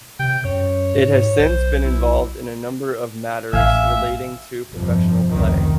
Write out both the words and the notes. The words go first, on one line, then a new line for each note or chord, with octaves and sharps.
It has since been involved in a number of matters relating to professional play.
C3 G5
F#2 C#5
G#2
B1 C5
E4
A1 E5 F5 G#5
G1 F2 C3 F3
F1 C#2 D#3